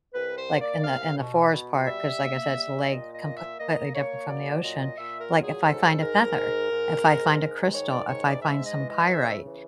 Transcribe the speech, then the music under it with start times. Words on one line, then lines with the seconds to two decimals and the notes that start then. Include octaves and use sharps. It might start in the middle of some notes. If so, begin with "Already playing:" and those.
like, in the in the forest part 'cause, like I said, it's a lake, completely different from the ocean. Like, if I find a feather, if I find a crystal, if I find some pyrite,
0.14 C2 B4
0.38 C5
0.49 A#3
0.61 D5
0.83 C2 F5
1.18 B2
1.53 B2
1.87 G3 E5
2.21 A#3
2.56 G3
2.90 A#2 D#5
3.13 D#5
3.24 A#3
3.36 E5
3.59 A#3 D#5
3.94 A#3 C#5
4.29 F#3 D5
4.63 A#2 D#5
4.98 A#2 E5
5.20 A#4
5.32 F#3
5.43 G#4
5.66 G#2 A4
6.01 G#2 A#4
6.36 G#2
6.70 G#2
7.05 G#2
7.40 G#2
7.74 D#3 C#5
7.91 D5
8.08 G#2 C#5
8.26 D5
8.42 G#3 E5
8.66 D#5
8.77 E3
8.89 D#5
9.12 C#3 E5
9.46 E3